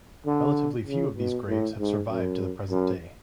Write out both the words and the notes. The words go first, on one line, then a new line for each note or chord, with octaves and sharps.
Relatively few of these graves have survived to the present day.
D3
C#3
B2
A2
G#2
F#2
F#2